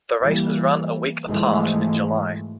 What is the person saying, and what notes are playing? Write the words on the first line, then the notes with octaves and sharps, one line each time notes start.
The races run a week apart, in July.
E3 G3 A#3
G#2 B2 E3 F3 G#3 A3